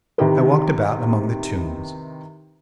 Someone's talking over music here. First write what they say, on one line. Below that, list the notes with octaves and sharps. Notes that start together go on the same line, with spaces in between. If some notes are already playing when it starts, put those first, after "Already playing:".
I walked about among the tombs.
C3 D#3 D#4 E4 G4 B4